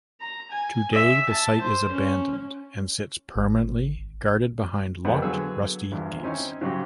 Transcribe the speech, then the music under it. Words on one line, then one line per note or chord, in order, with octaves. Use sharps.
Today the site is abandoned and sits permanently guarded behind locked rusty gates.
A#5
G#5
E5
A5
C5
C#4
G#1
F2 C3 A#3 B3 F#5
D3 F#3 B3 G#4 E6
G#1 E2 G2
C4 C#4 D#4 E4 G#5
G#2 C#3 F#3 F#4 G4